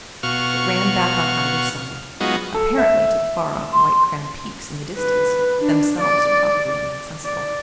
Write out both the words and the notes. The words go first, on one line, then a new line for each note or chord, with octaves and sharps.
It ran back on either side, apparently, to the far-off white-crowned peaks in the distance, themselves probably inaccessible.
B2 F#4 F5 C#6 F6
F#3 G#3 B3 D#4 F4 F#4
A4
E5
C6
B4
D4
D5
D5